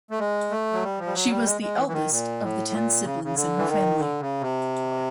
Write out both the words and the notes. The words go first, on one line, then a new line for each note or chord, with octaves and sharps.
She was the eldest of the ten siblings in her family.
A3
G#3
A3
F#3
G3
F3
G3
F#3
G3
G#3
G#3
E3
E3
D#3
A#2
A2
A#2
C#3
C#3
D3
E3
D#3
D3
C#3
C3